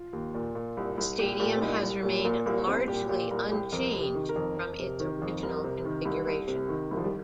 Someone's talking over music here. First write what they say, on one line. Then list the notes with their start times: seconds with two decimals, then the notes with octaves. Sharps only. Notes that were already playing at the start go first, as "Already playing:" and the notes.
The stadium has remained largely unchanged from its original configuration.
Already playing: F4
0.13 D#2
0.34 A#2
0.55 A#2
0.77 C2
0.98 C2
1.19 A#2 G4
1.40 A#2 G4
1.56 C4
1.61 C2 D#4
1.82 C2 G3
2.03 A#2 G3
2.24 A#2 A#3
2.46 C2 A#3
2.67 C2 C4
2.88 A#2 G4
3.09 A#2 G4
3.31 C2 A#4
3.52 C2 G4
3.72 F2 A#4
3.95 C3
4.01 G4
4.15 D#3
4.29 A#4
4.36 F2
4.57 F2
4.79 C3
5.00 D#3
5.22 F2
5.43 C2 A#4
5.64 C3
5.85 D#3
6.05 C2
6.27 C2
6.48 C3
6.69 D#3
6.91 C2
6.97 F3
7.04 G3